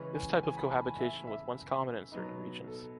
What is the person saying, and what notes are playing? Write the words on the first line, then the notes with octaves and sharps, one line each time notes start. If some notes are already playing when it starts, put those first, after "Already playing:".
This type of cohabitation was once common in certain regions.
Already playing: C#3 E3 G#3 C#4 B4
G#5
G#5
B5
A5
G#5
E5
E5
B2 F#3 B3 D#4
A4